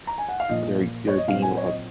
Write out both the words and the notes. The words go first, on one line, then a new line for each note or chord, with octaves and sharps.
They're they're being, like,
A#5
G#5
F#5
F5
A#2 F3 A#3 D#5
C#5
D#5
A#2 F#3 C4 F5
G#5
F#5
C#5
D#5